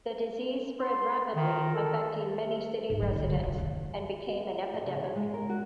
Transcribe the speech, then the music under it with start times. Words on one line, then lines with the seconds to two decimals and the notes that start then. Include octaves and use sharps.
The disease spread rapidly affecting many city residents and became an epidemic.
0.79 C6
1.36 D#3 A#4
1.75 A4
2.90 G#2
3.02 F#3 G#3
3.16 D3 B3
3.30 C#3 F#3
3.44 F1 F3
3.58 D#3 A#3
4.74 D#5
4.86 C#3
5.04 C#5
5.16 G#3
5.34 A#4
5.49 F#4